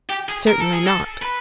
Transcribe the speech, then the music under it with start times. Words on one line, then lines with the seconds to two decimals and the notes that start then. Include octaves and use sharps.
"Certainly not."
0.09 G4
0.29 G#4
0.47 A#4
0.60 A4
0.73 G#4
0.86 A4
1.23 B4